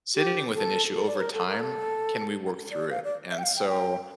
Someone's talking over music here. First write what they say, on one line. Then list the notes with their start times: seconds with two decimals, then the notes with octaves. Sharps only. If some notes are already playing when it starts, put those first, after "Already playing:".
sitting with an issue over time can we work through it. And so,
0.15 G4
0.55 A4
0.94 A4
1.07 D5
1.15 C#5
1.20 A#4
1.34 A4
1.49 A#4
1.60 A4
2.71 D5
2.90 F5
3.04 D5
3.31 E5
3.38 G5
3.43 F5
3.56 G5
3.69 G5